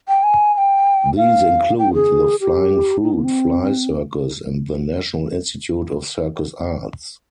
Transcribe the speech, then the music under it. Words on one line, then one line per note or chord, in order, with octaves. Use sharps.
These include the Flying Fruit Fly Circus and the National Institute of Circus Arts.
G5
G#5
G#5
G5
F5
G5
G#4
G4
D#4
A#3
C4